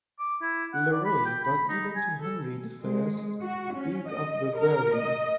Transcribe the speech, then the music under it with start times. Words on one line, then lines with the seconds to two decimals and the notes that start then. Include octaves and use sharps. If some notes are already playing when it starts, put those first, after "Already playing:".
Lorraine was given to Henry the First, Duke of Bavaria.
0.19 D6
0.41 E4
0.73 F#5
0.92 D5
1.05 B5
1.25 G5
1.44 B5
1.69 D#4
1.95 G#5
2.21 A4
2.80 G#3
3.43 F#4
3.75 C#4
4.11 D#5
4.57 A#4
4.96 D#5